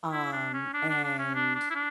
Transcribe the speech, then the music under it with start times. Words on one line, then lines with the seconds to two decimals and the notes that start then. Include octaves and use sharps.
um, and
0.12 E4
0.32 D4
0.53 C#4
0.74 D4
0.89 D4
1.04 D4
1.19 C#4
1.34 D4
1.55 D4
1.70 E4
1.75 D4